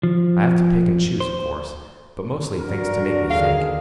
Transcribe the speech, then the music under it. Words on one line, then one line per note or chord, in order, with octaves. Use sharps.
I have to pick and choose, of course, but mostly things to make me think.
F3
C5
D4 F#4 A#4
D3 F#3
D#2 D3 D#3 G#4 F5